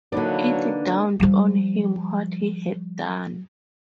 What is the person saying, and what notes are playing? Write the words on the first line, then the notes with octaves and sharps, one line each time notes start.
It dawned on him what he had done.
D3 E3 F#3 A#3 D4 D#4 B4
F3 G3